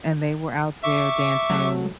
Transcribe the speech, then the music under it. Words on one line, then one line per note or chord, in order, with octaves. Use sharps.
and they were out there dancing
E5 C#6 D6
F#3 A3